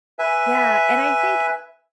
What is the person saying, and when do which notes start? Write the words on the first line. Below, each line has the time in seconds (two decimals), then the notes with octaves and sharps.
Yeah, and I think
0.19 B4 E5 G#5